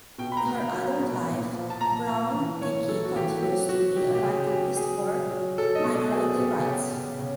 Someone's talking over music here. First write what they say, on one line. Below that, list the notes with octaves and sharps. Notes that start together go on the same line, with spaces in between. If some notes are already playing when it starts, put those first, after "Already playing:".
In her adult life, Brown-Trickey continues to be an activist for minority rights.
B2 G5
B5
A#5
B2
F#3
B2
A#2
F3
A5
A#2 A#5
A#2
E3
E3 C#5
E3 A4
F#4
E3 G4
F#3 G4
F#3 F#4
F#3 G4
G4
C#3 G#4
G#4
F#3 G4
F#3 G#4
F#3
F#3
F#3 A4
D#5
B2
D5
F#3 G#4
B2 G4
G#4
C#3 G4
C#3 G4
C#3